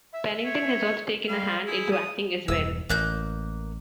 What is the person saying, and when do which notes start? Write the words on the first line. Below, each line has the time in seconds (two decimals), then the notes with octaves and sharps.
Pennington has also taken a hand into acting as well.
0.13 E5
0.45 C#5
1.28 G3 F5
1.67 E4 G#4
1.92 D#6
2.48 E1 G2 E6
2.89 A1 A#3 F#6 G6